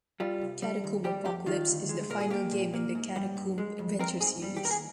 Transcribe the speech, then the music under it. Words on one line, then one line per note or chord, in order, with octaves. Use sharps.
"Catacomb Apocalypse" is the final game in the "Catacomb Adventure Series".
G3 F4
C2
G3
D#2
G3 G4
F2 G4
D#3 F4
D2
G#3
A#2 A#4
G#4
A#3 G4
A#2
A#3
G#2
G3
G2
G#3
F2
C4 A#4
G#2 G#4
G3
G4
D#2 A#4
G#4